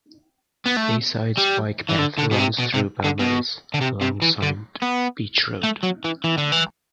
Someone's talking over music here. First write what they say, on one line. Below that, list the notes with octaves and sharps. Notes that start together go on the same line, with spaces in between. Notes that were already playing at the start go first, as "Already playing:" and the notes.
Bayside's bike path runs through Beaumaris, alongside Beach Road.
B3
A3
G3
E3
D3
D3
B2
C3
B2
C3
D3
B2
D3
C3
C3
E3
D3
B3
A3
F#3
E3
E3
D3
E3